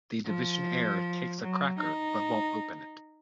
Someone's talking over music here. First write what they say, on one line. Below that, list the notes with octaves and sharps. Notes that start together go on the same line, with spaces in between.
The Divisionnaire takes a cracker but won't open it.
F3
F#3
D#4